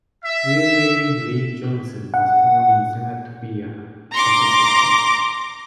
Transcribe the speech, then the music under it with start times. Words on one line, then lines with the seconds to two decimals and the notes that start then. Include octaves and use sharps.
Willie Lee Johnson was born in Senatobia, Mississippi.
0.24 E5
2.14 F#5
4.12 A#5 C6 D6